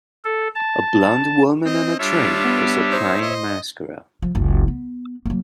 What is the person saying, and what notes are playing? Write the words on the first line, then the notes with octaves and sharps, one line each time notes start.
A blond woman on a train is applying mascara.
A4
A5
C4 D#5
G3 D4 F4 G4 C#5 E5
B3
D#4 C5
D#5
F3
F#1 C#2
B3
F#3 A#3